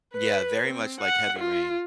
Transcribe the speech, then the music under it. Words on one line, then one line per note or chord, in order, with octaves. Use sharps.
Yeah, very much like Heavy Rain.
B4
C4
F#5
F4